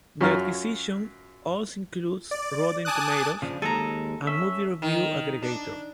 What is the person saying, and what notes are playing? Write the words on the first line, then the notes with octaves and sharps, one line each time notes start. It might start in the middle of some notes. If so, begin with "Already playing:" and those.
The acquisition also includes Rotten Tomatoes, a movie review aggregator.
F#2 F4 C#5 A#5 F6
D5
G#5 A5 D6 D#6 F#6
C#3 F3 D4
D#2 G#3 A4 G#5 A#5
C#4 E5
D#3
D4